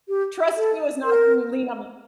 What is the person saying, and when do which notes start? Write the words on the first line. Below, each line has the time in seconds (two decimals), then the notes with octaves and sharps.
trust you is not "can you lean on me?"
0.08 G4
0.57 A4
1.04 A#4